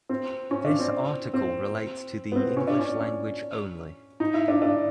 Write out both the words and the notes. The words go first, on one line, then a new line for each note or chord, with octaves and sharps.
This article relates to the English language only.
C4
C#4
D4
C4
C4
B3
C4
C#4
D4
C#4
D#4
E4
D4
D4